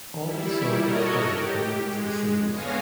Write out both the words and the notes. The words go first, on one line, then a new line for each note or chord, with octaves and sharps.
All the songs in the film were released as singles.
G3 E4
F#4 A4 A#4 C#5 D#5
G4
G#3
D3 B3 C#5 F5 G#5 A#6